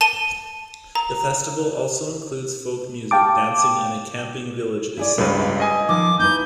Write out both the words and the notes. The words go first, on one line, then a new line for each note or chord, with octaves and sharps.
The festival also includes Folk music, dancing and a camping village is set up.
A5 D#7 G7
A#5
F5 G5 A5 D6
E4 G#4 D5
C#2 G2 F4 B4
D#5 G#5 D#6
D#3 F3 D6
D#4 E4 B4 G6